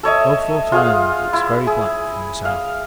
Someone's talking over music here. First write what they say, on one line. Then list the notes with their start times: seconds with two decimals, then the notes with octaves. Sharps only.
Beaufort Island looks very black from the south.
0.03 A4 C#5 D#5 E5
0.72 F4 G#4 F5 F#5
1.33 E4
1.67 G#4
2.45 F5